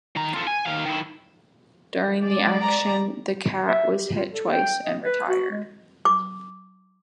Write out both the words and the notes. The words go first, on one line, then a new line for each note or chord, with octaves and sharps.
During the action, the 'Cat' was hit twice and retired.
D#3 A#5
F4 A4
G#5
D#3 F5
D#3 E4
G#3 D5
A#5
E5
G4
F4
A4
G5
D#5
B4
F#4
G#3
D6